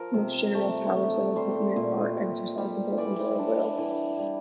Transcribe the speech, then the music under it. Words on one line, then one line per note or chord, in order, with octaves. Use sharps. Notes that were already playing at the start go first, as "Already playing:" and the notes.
Most general powers of appointment are exercisable under a will.
Already playing: F3 A#4
C3
A3
A3
G3 C5
A#2
A#2
G3
E3 D5
D4
E3
G3